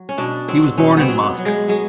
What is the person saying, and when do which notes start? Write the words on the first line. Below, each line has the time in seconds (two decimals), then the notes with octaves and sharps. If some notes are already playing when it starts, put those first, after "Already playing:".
He was born in Moscow.
Already playing: F#3
0.09 C#4
0.18 B2 D4
0.48 F#3 C4
0.78 B2 C#4
0.97 B3 C4
1.09 F#3
1.23 B3
1.39 F#3
1.46 G#3
1.68 F#3 G#3